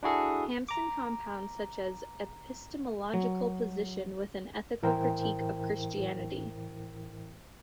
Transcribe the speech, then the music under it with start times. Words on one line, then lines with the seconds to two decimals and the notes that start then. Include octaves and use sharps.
Hampson compounds such an epistemological position with an ethical critique of Christianity.
0.03 D4 E4 F#4 G#4 A4
0.69 A#5 D6
3.14 F#3
4.82 A2 E3 E4 A#4 C5 G5